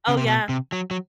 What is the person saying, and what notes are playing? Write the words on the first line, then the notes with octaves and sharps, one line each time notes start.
Oh, yeah.
C#3
C3
B2
C3
F#3
F#3